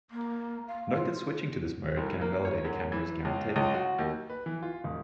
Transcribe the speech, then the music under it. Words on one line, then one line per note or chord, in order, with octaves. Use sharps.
Note that switching to this mode can invalidate a camera's guarantee.
A#3
F5
F4
C2
A#3
C#5
F#2
E3
C#2
C#2
F#4
D#2
B4
E3
F4
E1